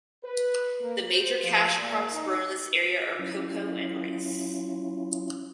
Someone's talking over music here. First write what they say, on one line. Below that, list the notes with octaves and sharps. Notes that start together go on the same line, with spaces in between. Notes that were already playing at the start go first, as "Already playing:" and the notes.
The major cash crops grown in this area are cocoa and Rice.
B4
A#3
C5
F3
A#2
D#4
F#3 C#4 E4 F4